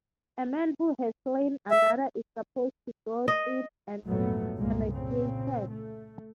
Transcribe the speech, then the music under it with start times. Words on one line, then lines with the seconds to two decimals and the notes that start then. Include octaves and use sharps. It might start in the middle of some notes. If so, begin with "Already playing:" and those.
A man who has slain another is supposed to grow thin and emaciated.
1.71 E5
3.28 D#5
4.05 A#1 F2 G#2 F#3 A3 B3
4.56 G1 C2 A#2 G#3 A#3
4.87 A#2 C#3 C4
5.69 A3